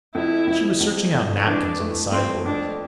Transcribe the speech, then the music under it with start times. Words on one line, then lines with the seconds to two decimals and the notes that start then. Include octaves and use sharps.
She was searching out napkins in the sideboard.
0.15 F2 E4
0.47 F2
0.80 F2
1.14 F2
1.46 E3 D4
1.80 A3
2.12 F2 C4
2.45 F2 D4